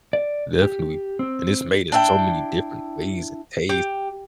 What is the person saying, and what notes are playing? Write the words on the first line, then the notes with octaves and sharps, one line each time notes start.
definitely, and it's made in so many different ways and taste.
D5
G4
C4
D4 E4 G5
G4